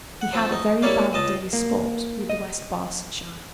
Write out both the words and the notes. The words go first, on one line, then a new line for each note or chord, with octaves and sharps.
He had a very bad day's sport with the West Barsetshire.
F#5
F3 C4 A4
D#4
G3 A#3 E4 C#5 D5 F5
C#2 D#5 A5
A#3
D#5